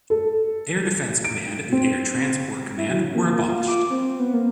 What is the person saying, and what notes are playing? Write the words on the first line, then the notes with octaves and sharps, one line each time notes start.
Air Defence Command and Air Transport Command were abolished.
A4
D7
C4
E4
F#3
A#3
F4
D6
C4
B3
A#3